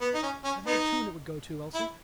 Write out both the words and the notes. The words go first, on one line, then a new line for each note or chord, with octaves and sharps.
"Have you a tune it would go to, Elsie?"
B3
D#4
C#4
C#4
B3 D#4
E4